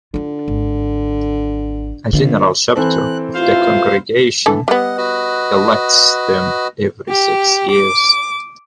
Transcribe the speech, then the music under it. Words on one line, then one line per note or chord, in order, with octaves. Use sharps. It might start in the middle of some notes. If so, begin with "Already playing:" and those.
A General Chapter of the congregation elects them every six years.
D3 D4 F4
G#1
A#1 D3
E3 C4 A4 F#6
A1 E4 F4 C5 F5
D3 E3 A4
G3 B3 D#5 F#5
F#4 B4 D#5
G4
D6